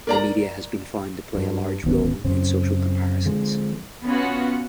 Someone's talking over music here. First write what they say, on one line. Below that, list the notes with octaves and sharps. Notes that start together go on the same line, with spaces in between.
The media has been found to play a large role in social comparisons.
A#4 D5 A#5
G2
D1 G#1 B3 C#4
F#2 C#3 C4
D3 F3 G#3 C4
B3 C#4 F4 F#4